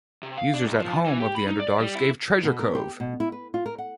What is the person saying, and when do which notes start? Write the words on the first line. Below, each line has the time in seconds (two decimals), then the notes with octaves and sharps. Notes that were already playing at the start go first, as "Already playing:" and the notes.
Users at Home of the Underdogs gave Treasure Cove!
0.23 C3
0.38 F5
0.54 D4
0.66 C2
0.80 F3
1.05 E3
1.20 G4
1.35 B5
1.47 D#4
1.59 D5
1.80 G3
1.95 E4
2.43 B2
2.59 A#4
2.75 G4
3.00 B2
3.20 E4
3.32 B4
3.54 F4
3.66 A#4
3.78 F#5